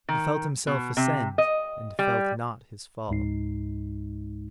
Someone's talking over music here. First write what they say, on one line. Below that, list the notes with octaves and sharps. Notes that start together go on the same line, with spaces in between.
He felt himself ascend, and felt not his fall.
D#3
B2
C3
D#5
G3
C#2 G#2 G#3 D#4 C7